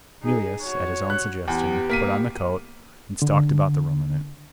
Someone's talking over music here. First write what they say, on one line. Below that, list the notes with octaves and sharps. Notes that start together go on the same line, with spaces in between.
Mealyus, at his own suggestion, put on the coat, and stalked about the room in it.
D#4 G#4
F#4 C#5
F#6
E2 B3 G4
A#3 B6 D#7
D3